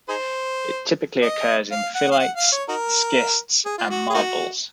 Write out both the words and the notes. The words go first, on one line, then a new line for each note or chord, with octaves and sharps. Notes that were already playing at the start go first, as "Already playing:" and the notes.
It typically occurs in phyllites, schists and marbles.
D#4 G#4 C5
D#5
F5
F#5
F5
F#5
F5
C#5
D#4 F#4 A#4
G#4
F4
F#4
G#4
A#3 D#4 F#4